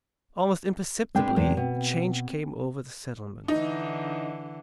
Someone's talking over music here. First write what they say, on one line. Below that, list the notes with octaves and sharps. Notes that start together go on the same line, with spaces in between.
Almost imperceptibly a change came over the settlement.
G#3 C4 D4 B4 G5
E2 G#3
B2
D3 E3 D#4